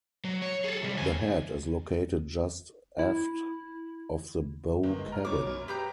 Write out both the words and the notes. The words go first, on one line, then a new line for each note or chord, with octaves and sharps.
The head is located just aft of the bow cabin.
F#3
C#5
G#4 A4
C3 G3
D2 G#5
E4
G1 A#3
G#3
A#5 F6
B2 C#5 D6
F#2
G4 B4 A#5 G6